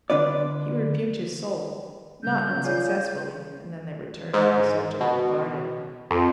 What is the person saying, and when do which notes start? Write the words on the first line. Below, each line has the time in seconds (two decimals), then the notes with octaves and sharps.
He rebuked his soul, not unsuccessfully, and then they returned to the subject of Varden.
0.10 D3 D4 B4 D5
2.23 C#3 G3 C#4 G6
2.64 F4 G#4 C#5 D5 F5 G#5
4.34 G#2
5.01 B2
6.11 F2